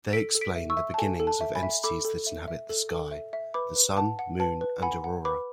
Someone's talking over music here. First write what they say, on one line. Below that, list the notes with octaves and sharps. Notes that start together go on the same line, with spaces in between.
They explain the beginnings of entities that inhabit the sky-the sun, moon, and aurora.
A4 B6 D7
A4
B6 D7
E5
C#6 E6
E5
A5
A4 G#5
A4
A5
E5
G#5 B5
E5
A4 B5 D6
A4
E5
E5
A4
A4
E5
E5
B4 B5 D6
B4
F#5 A5
F#5
B4 A5
B4
F#5 G#5 B5
F#5
B4 B5 D6